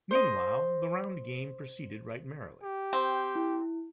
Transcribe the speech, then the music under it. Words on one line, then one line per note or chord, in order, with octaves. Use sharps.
Meanwhile the round game proceeded right merrily.
C5 D#5
G4
C4
E4